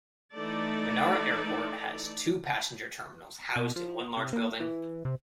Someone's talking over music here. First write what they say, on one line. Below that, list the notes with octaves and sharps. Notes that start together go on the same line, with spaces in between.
Menara Airport has two passenger terminals housed in one large building.
E3 A3 D#4 A4 D5
B2
F3
C3
A#3
E3
C3